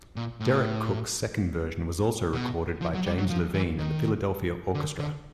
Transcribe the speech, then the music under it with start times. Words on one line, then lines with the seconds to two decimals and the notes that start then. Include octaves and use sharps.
Deryck Cooke's second version was also recorded by James Levine and the Philadelphia Orchestra.
0.16 A#2
0.40 A2
2.33 B2
2.82 F3
2.94 F#3
3.06 G3
3.18 F#3
3.29 F3
3.54 E3
3.78 D#3
4.74 D3
4.99 D3